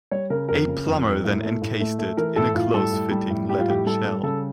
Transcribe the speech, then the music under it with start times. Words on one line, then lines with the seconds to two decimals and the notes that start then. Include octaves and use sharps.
A plumber then encased it in a close fitting leaden shell.
0.11 G3 C#5
0.30 C#3 A#4
0.49 F2 A#4
0.68 C#3
0.86 F2
1.05 F2
1.24 A2
1.42 A3
1.62 A2
1.80 A3
1.99 A3
2.17 E3 A#4
2.36 A2 A4
2.54 A2 F4
2.74 G3 A4
2.92 A2
3.11 G3
3.30 A2
3.49 G3 G4
3.59 F4
3.68 A2 G4
3.86 G3 A4
4.05 G3
4.23 C#3 A4